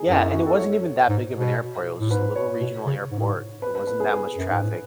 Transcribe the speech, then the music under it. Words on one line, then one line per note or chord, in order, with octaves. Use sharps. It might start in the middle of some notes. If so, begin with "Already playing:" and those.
Yeah, and it wasn't even that big of an airport, it was just a little regional airport, it wasn't that much traffic.
Already playing: D#4 G#4
F#2 E4
D#4
F#4
A4
C#5
G#2
B2
A2
G#2 B4
C#5
B2
C#3
G#2
A2
G#2
B4
B4
B4
G#4
G#4
F#2
G#2
A2